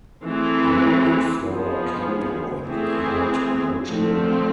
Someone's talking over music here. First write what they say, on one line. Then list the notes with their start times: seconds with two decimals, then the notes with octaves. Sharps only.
He married Flora Calvo and they had no children.
0.23 E3 A3 C4 G#4
1.43 F3 B3 F4 G#4
2.64 E3 A3 C4 G#4
3.84 D3 F3 A3 C4